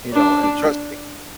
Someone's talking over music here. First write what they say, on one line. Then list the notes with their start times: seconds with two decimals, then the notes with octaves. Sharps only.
You know? And trust me.
0.13 D4